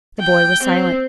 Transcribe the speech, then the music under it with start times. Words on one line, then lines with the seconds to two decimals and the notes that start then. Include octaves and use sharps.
The boy was silent.
0.20 G5
0.63 C4